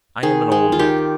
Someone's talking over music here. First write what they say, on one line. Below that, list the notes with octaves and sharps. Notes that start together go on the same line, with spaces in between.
I am an old man.
D#3 G#4
G#3
F4
D#3 G4